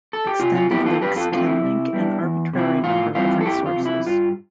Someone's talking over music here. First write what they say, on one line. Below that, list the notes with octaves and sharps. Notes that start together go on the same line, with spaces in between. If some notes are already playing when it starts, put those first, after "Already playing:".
Extended links can link an arbitrary number of resources.
A4
G4
C3 F4
F4
F3 B3 E4 G4
F4 A4
F2 G4 B4
F4 A4
D3 F3 A3 C4 F4
E4
C3
G3 B3 D4
E2
C3 F3 C4 E4
A2 F4
E3 G3 C4 E4 F4
A4
F2 E4 G4
F4
C3 F3
E4
G2 F4